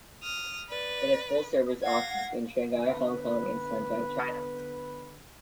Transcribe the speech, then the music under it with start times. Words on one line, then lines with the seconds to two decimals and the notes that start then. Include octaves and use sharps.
It has full-service offices in Shanghai, Hong Kong and Shantou, China.
0.23 D#6 F6
0.69 B4 D5
1.83 F5 F#5 G#6 A#6
2.75 D3 B3 B4